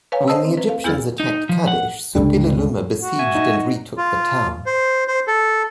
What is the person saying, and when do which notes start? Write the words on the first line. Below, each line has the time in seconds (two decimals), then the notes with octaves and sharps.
When the Egyptians attacked Kadesh, Suppililiuma besieged and retook the town.
0.12 B4 C#5 F5 G#5
0.28 C5 D#5 A5 D#6 E6
0.45 C4
0.57 B4
0.69 F5
0.84 E2 B3 E4 G#4 F6 A6
1.20 D#4
1.49 F3
1.67 F#5
2.15 C#2 G2 D3 G3
3.02 F#4
3.19 E5 G#5
3.35 D#4
3.98 F4
4.66 C5
5.08 C5
5.27 A4